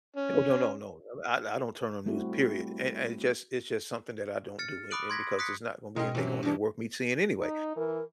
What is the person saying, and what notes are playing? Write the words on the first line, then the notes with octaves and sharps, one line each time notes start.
Oh, no, no, no I I don't turn on news, period and and it just it's just something that I don't do and and because there's not gonna be anything on there worth me seeing anyway.
C#4
G3 A3 C4 E4 F#4
F6 A6 C#7
B5 D6 D#6 F#6 D7 F#7
C6 G#6 A#6 B6
D#6 F#6 B6 C#7
B2 G#3 C#4 A#4 D#5 G5
C3 E3 F#3 C#4
B2 E3 G#3 D4
D#4
E3 A#4